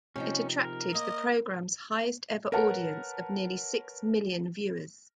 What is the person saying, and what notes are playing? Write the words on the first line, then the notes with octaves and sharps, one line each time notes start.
It attracted the programme's highest ever audience of nearly six million viewers.
C3 F3 C#4 D#4
A#4
A#3 D#5
A#4 B4 C#5 F#5 A5